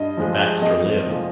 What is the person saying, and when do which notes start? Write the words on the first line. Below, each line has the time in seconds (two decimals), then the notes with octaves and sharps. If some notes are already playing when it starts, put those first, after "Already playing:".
But Baxter lived.
Already playing: G2 D#5
0.17 F3 G#3
0.62 F2 D#5
1.06 C3 F3 G#3